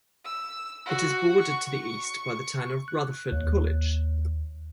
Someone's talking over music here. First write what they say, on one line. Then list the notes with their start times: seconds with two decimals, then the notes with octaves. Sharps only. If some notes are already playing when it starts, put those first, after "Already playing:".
It is bordered to the east by the town of Rutherford College.
0.25 E6
0.86 F#4
1.40 C#6
2.88 F#6
3.32 D#2